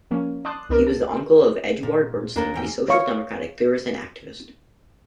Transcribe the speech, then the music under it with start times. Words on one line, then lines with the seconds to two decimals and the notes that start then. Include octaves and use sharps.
He was the uncle of Eduard Bernstein, a Social Democratic theorist and activist.
0.11 F3 A#3 C#4
0.45 D5 A5 C6 D#6 F#6
0.69 C#2 B3 D4 A#4 D7
0.87 A5
1.83 A#2
2.36 D#2 A#3 D4 A4 A#4
2.54 E2 G#2 G5
2.88 C#5 D5 F5 C#6